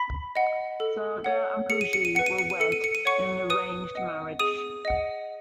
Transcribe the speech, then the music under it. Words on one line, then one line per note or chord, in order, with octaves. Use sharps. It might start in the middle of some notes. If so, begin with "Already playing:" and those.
Saga and Pujie were wed in an arranged marriage.
Already playing: B5 B6
D#5 F#5
A4
C#5 F#5
G#4 C#7
D#7
C#7
D#7
B4 F#5 C#7
D#7
C#7
D#7
A4 C#7
D#7
C#7
D#7
C#5 F#5 C#6 C#7
B4 D#6 D#7
D#5 F#5
G#4 D#6 D#7
D#5 F#5